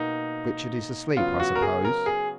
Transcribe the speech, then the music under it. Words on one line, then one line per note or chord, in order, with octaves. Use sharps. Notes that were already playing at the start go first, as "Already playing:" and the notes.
"Richard is asleep, I suppose?"
Already playing: B2 A#3 D#4
C#3 F#3 B3 F4
F#4
A#4
G#4
A#4
G#4